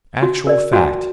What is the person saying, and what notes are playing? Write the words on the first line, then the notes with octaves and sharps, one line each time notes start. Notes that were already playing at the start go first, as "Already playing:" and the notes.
"Actual fact!"
F#4
A#4 D5
F#4